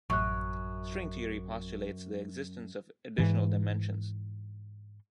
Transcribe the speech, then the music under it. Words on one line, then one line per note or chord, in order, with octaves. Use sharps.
String theory postulates the existence of additional dimensions.
A1 F#2 C#6 F#6
G#2 E3